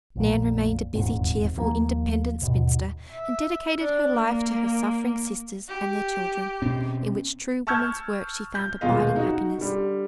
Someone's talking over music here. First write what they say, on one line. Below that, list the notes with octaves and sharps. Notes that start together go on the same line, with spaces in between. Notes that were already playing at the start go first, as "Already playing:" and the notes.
Nan remained a busy, cheerful, independent spinster, and dedicated her life to her suffering sisters and their children, in which true woman's work she found abiding happiness.
A#1 F2 A#2
D#1 E2 G#2 C4
D#2 F3 A#3
D#2 G#2 B2
E5
D4
A#3
G4
B2 C4 C#4
A5 C#6 E6 F6 G6 G#6
G6
D#1 B2 G#3 F4 D#5 F5
D#4 F#4
D3 G3